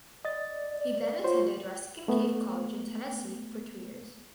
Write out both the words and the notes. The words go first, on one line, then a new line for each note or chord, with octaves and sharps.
He then attended Ruskin Cave College in Tennessee for two years.
D5 D#5 A6
F4 F#4 C5 C#5
A3 B3